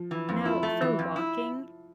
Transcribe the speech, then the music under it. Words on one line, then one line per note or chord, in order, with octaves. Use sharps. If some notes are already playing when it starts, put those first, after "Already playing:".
No, for walking,
Already playing: F3
E3
F2
F3 E4
A3
E3
F2
E4